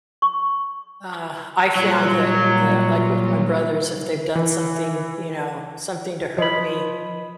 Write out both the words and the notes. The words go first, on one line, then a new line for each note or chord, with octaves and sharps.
uh, I found that that, like, with my brothers, if they've done something, you know, something to hurt me,
C#6
A#2 F#3 G3 F4
E3
F3 D#5 B5